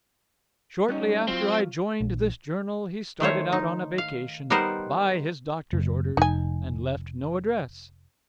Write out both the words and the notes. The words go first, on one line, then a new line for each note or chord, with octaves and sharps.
Shortly after I joined this journal, he started out on a vacation, by his doctor's orders, and left no address.
G3 C#4 D#4
F#3 C4 F4
A#1
D#3 A3 C5 C#5
D#4
F5
G3 B3 D#4 A#4 C5
F#1
F1 D#4 G#5